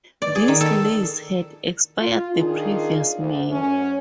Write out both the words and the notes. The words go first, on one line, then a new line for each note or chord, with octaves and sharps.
This lease had expired the previous May.
D5
G#4
D#3
A4
F4
D#3 D4 D#4 F4 G#4
D2
F#2 C#4